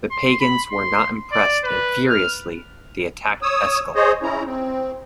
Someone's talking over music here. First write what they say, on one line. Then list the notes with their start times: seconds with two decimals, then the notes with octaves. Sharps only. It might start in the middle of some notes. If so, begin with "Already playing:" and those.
The pagans were not impressed and furiously, they attacked Eskil.
0.11 C6
0.40 B5
0.71 C6
1.32 D5
1.64 B4
2.09 F6
3.42 C#5 D#6 E6
3.95 G#4 C5 C#5 D#5
4.23 C#4 E4 A#5
4.46 C4